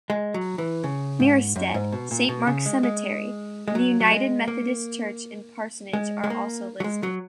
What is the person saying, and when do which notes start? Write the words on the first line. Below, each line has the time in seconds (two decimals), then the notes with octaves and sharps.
Merestead, Saint Mark's Cemetery, and the United Methodist Church and Parsonage are also listed.
0.10 G#3
0.34 F#3
0.58 E3
0.84 C#3
1.20 G#2
1.56 F#2
1.74 G#2
1.92 B2
2.11 A#2
2.29 B2
2.47 C#3
2.66 G#3
2.83 G#3
3.68 G#3
3.75 F#3
4.00 F#3
4.11 G#3
4.48 A#3
5.93 G#3
6.24 G#3
6.30 A#3
6.80 F#3
6.84 G#3
7.03 F#3